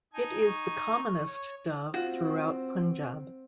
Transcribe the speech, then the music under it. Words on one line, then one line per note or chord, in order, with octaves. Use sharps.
It is the commonest dove throughout Punjab.
D#4 G#5 A5
C#6
C#5
C4 F4 F#4